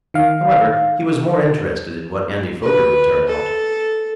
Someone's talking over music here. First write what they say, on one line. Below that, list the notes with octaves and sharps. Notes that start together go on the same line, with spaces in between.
However, he was more interested in what Andy Foger would turn out.
D#3 F5
B4
A4